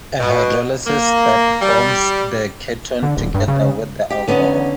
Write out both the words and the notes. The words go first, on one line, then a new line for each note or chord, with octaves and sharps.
A hydrolysis step forms the ketone together with the alcohol.
B2
A#3
G3
D3
D1
G2
C#3
G4
D3 B3 C#4 D#4